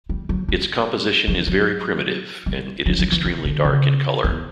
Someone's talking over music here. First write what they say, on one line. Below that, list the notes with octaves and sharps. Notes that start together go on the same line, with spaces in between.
Its composition is very primitive and it is extremely dark in color.
G3
F#3
G3
F#3
F#3
G3
F#3
F#3
E3
D#3
D3
C#3
E2